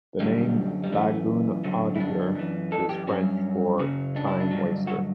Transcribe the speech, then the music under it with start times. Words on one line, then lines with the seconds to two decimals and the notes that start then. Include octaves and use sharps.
The name "Baguenaudier" is French for "time-waster".
0.20 F#2 D3 F#3 G3
0.84 G3
0.92 F#2 E3 A3
1.64 F#2 D3 F#3
1.96 E4
2.00 D4
2.35 F#2 E3
2.72 A4
2.89 G4
3.07 G2 F#3 C#4
3.79 F#2 C#3 F#3
4.16 D4
4.27 E4
4.40 D4
4.51 G2 D3 F#3
4.87 F#4